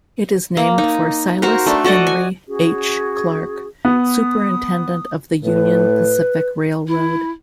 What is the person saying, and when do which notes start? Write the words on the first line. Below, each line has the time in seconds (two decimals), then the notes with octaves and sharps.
It is named for Silas Henry H. Clark, superintendent of the Union Pacific Railroad.
0.57 A#3
0.78 D#4
1.42 F#4 A#4 C5
1.66 A3 D4
1.84 F#4 A4 D5 D#5
2.07 G#5
2.47 C#4 F#4 G#4
3.85 B3 D#6
5.44 A2 B4
6.87 E4